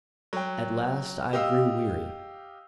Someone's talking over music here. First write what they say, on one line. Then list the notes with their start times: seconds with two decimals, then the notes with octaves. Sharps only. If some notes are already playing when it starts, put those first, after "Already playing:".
At last I grew weary.
0.33 F#3 G5
1.33 G4 D#5 F5 E6